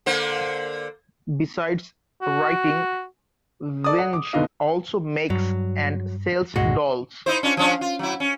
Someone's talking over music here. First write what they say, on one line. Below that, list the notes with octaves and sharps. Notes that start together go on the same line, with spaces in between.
Besides writing, Vinge also makes and sells dolls.
D3 A#3 C5
F#4
A4 D5 D#6
F#5
D6
F#1 B2 D3 D#4 D#5 F5
G2 F#3
C2 G2 A#2 G#3 F#4
D#4 E4 C5
C#4 D4 F4
F3 C#4 D4
F4
F#3 E4
C#4